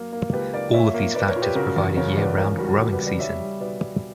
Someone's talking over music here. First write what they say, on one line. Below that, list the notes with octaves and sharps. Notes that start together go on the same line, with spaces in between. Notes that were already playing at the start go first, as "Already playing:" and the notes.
All of these factors provide a year-round growing season.
Already playing: F#2 A#3
A#3
C#2 G4 B4
A#3 B4 D5
A#2 C#5 E5
A#3
A#3 B4 D5
A#4 C#5
A#2
G4 B4
C#3 F#4 A#4
E2
C#3 A#4 C#5
E2 B4 D5
C#2 A#4 C#5
G3 F#4 A#4
F#4
G3 G4
G4 B4
G3
B4 D5
G3 C#5 E5
G3
B2 B4 D5
G3